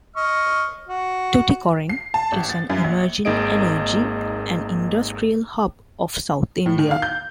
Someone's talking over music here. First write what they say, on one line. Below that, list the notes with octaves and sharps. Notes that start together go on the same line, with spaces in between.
Tuticorin is an "Emerging Energy and Industrial hub of South India".
D#5 C#6 F6
F#4
C7
A5
A1
A6
F#2
A#1
G#1 A#3 D#4 G#4 D#5 D7
A2
D#3
F5
G6